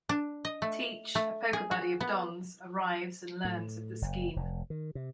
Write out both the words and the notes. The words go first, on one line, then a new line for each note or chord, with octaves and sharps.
Teach, a poker buddy of Don's, arrives and learns of the scheme.
D4
D#5
A3
A3
G#4
F#4
B3
A2
F#1
F1
D#3
C3